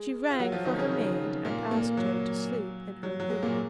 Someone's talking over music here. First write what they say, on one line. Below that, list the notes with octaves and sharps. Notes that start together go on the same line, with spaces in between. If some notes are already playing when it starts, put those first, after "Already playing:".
She rang for her maid and asked her to sleep in her room.
Already playing: G#3 G#4
F4
F#3 F#4
F3 F4
D#3 D#4
C#3 C#4
C#3 C#4
A#2 A#3
A#2 A#3
F#3
F#3
F#3
G#3
A#2 A#3